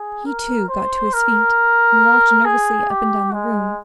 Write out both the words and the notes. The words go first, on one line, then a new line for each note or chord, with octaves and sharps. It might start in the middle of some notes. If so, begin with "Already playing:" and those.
He, too, got to his feet and walked nervously up and down the room.
Already playing: G#4
A#4
C5
A#4
G#4
G4
G#3